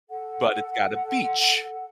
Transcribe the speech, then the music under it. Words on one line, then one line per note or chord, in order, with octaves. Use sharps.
but it's got a beach,
A4 F#5